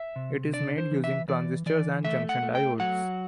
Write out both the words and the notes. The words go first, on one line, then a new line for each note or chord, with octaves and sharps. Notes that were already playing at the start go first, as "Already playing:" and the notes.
It is made using transistors and junction diodes.
Already playing: E5
C3
D4 D5
C5
E3
E5
E3 D5
E3 D5
A3 E5
F#5
A3
G5
F#3 F#5